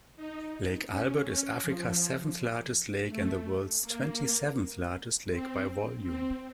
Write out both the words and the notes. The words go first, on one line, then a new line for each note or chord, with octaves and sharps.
Lake Albert is Africa's seventh-largest lake, and the world's twenty-seventh largest lake by volume.
D#4
C#4
C#4
F3
A3
A#3
C4
C4